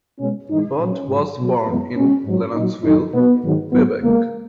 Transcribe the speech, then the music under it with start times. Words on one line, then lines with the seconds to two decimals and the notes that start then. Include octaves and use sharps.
Abbott was born in Lennoxville, Quebec.
0.20 B2 G#3 C#4
0.49 G#2 E3 G#3 D#4
0.78 A#2 F#3 C#4
1.08 G#2 F#3
1.37 B2 F#3
1.67 F#2 E3 G#3 B3
1.96 B2 G#3 C#4
2.25 G#2 F#3
2.54 A#2 F#3 D#4
2.84 F#2 D#3 F#3 D#4
3.13 B2 F#3 B3
3.43 G#2 D#3 F#3
3.72 G#2 F#3 B3
4.01 E2 C#3 G#3 A#3